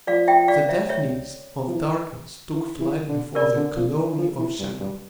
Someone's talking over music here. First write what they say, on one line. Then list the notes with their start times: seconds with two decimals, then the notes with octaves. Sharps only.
The Daphnis of darkness took flight before the Chloe of shadow.
0.07 F3 D5 F5
0.28 E5 G5
0.48 D5 F5
0.69 C#5 E5
0.89 C#5 E5
1.68 F3
1.72 E3
2.54 E3
2.80 E3
3.08 D3
3.35 C#3 A#4 D5
3.56 D3
3.76 F3
3.98 E3
4.18 F3
4.39 E3
4.59 G2
4.80 G2